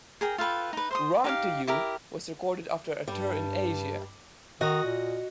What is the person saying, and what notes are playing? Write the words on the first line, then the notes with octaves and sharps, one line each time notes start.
"Run to You" was recorded after a tour in Asia.
G#4 A#4 G5
F4 A4 B4 G5
D#4 B4
C5 C6 D#6
D#4 G4 F5
E4 G4 A#4
G2 G3
D#3 F#4 D#5 F#5
A#2